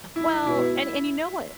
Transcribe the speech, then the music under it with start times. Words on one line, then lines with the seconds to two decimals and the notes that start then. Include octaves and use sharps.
Well, and and you know what,
0.16 E4
0.47 B2 E4